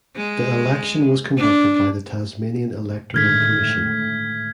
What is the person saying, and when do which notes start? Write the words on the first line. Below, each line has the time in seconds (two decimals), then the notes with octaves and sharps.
The election was conducted by the Tasmanian Electoral Commission.
0.16 G#3
1.37 D4
3.14 A2 D3 D#3 G#3 F6 G#6 B6